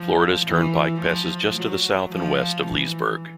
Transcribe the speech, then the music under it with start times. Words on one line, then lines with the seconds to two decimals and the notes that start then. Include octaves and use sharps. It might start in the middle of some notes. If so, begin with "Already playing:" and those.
Florida's Turnpike passes just to the south and west of Leesburg.
Already playing: F3
0.45 E3
1.00 F3
1.57 F#3
2.12 F3
2.67 E3